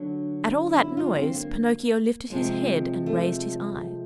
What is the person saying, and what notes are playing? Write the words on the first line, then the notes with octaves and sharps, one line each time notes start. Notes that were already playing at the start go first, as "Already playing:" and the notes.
At all that noise, Pinocchio lifted his head and raised his eyes.
Already playing: D3 F#3 D4
E4
F4
C4
A#3
C3 F3 G#3
A3